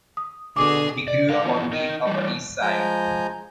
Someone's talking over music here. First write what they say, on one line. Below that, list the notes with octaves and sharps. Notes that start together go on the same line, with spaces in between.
He grew up on the Upper East Side.
D#6
B2 D3 G#4 D6
D5
B4 F5
E3 F3 B3
D#4 A#4 D#5
E3 G3
F3 G#3 G#5 A#5 G6